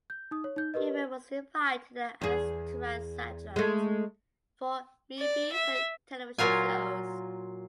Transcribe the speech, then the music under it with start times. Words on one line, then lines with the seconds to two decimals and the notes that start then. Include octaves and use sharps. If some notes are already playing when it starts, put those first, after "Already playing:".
Hubert was invited and asked to write soundtracks for movies and television shows.
0.10 G6
0.31 D#4 D#6
0.44 C#5
0.56 D#4 G6
0.74 G4 A#4 B4 D#5
2.21 E2 G#4
3.56 G#3 A3
5.19 D5
5.54 E5
6.38 A#2 F#3 F4 G#5